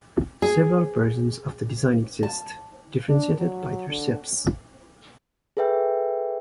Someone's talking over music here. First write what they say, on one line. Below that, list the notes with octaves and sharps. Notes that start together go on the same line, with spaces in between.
Several versions of the design exist, differentiated by their shapes.
G#4
A5
D4
F#3
D3
G#4 A4 B4 E5 G5